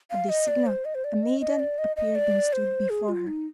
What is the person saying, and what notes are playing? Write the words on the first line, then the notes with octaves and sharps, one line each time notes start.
At this signal a maiden appeared and stood before her.
F5
D#5
D5
C5
D#5
C5
D5
D#5
D#5
D5
D#5
D#5
D5
C5
G#4
F4
D#4